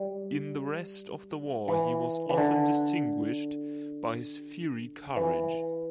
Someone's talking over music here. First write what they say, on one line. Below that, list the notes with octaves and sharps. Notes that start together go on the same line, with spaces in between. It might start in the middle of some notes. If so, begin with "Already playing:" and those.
In the rest of the war he was often distinguished by his fiery courage.
Already playing: G3
E3
E3
D3
E3